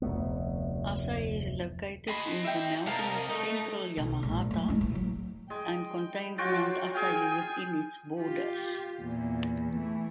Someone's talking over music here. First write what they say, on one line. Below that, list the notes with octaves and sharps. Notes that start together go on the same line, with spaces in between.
Asahi is located in mountainous central Yamagata, and contains Mount Asahi within its borders.
F1 D2 A3 B3
D#5 G#5 A5 B5 C6
E5 G5
C2 A#4 D#5 F5 A5
A3 D#4
B1
A#1 G#2
F#3 A3
G#3 E4
A1 A3
F#3
G#3 G5
F#3 F4 F#4 G5
G#4 F5 G5 G#5
F4 G4
E2 A#2
E3 A3